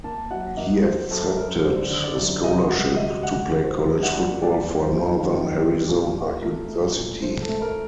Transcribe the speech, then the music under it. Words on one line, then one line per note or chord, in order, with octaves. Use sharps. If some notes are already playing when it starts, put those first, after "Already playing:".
He accepted a scholarship to play college football for Northern Arizona University.
A#3 A5
F#3 F#5
A#3 D#5
F#3 C5
F#2 A4
F#2 A#4
D3 C5
D3
D5
F#2
C3 D#5
G3 F#5
D2 D#5
D2 F#5
D2
C5
F#3
G2 F#5
A#3
D5
A#3
F#2 C5
D#3
D#3
G3
A#2
A#2
A3 A#4
A3
A#2
A3 C5
A4
A3
A#4